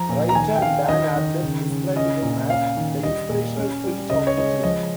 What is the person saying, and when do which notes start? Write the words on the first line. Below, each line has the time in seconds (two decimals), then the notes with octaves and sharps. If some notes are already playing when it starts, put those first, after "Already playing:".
Writer Dan Abnett described him as "the inspirational spirit" of the team.
Already playing: F3 A#5
0.09 A#2
0.29 A#5
0.35 D#3 G#5
0.55 G5
0.62 D#3 F5
0.89 D#3 D#5
1.16 D#3
1.42 C#3
1.70 C#3
1.96 C#4 D#5
2.22 A#2
2.50 C#4 F5
2.77 D#3
3.03 G3 D#5
3.30 A#2
3.57 C#4
3.84 G3
4.10 C#3 D#5
4.27 C#5
4.37 G#3 D#5
4.63 F3 D#5